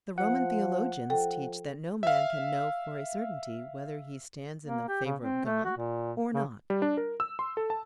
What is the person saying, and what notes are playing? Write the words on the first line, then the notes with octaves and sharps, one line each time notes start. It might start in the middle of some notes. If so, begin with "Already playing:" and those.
The Roman theologians teach that no man can know for a certainty whether he stands in the favor of God or not.
F3 F#5
F3 A4 G5
E5 F5
A#3
G4
C#3
C4
A3
F#4
A#2
C#3
G3
D4
A#4
E6
C6
A4
A5